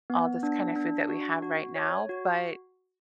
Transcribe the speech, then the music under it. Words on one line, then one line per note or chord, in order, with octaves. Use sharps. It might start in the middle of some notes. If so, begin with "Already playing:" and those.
all this kind of food that we have right now, but
B3
D4
D4
F#4
F#4
C#5
F#4